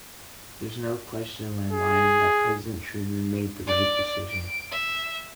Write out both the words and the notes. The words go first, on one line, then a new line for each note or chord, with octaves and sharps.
There's no question in my mind that President Truman made the right decision.
G#4
D5
D7
E5